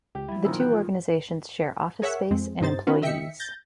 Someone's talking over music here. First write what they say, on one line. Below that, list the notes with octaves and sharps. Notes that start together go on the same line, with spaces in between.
The two organizations share office space and employees.
C#2 G4
F#3 G3 E4
A#2 D#3 F3 G#5 B5 E6
E3 G5 F#6
F4
G#4 A#4 C#5 E5 F#5
F2 G#3 C4
G2 C3 D#4 C5 A6
B3 C#4 F4 F#4 B4
D#3 D#5 E5 G5 B6 C#7
G6 A6 A#6